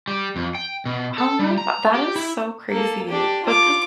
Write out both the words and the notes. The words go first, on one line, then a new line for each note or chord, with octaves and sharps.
Oh, my go that is so crazy, but, this
G3
F2
G5
B2
A4
G3
A#5
G4
E4
A#3 A4
D4 G4
F4 D6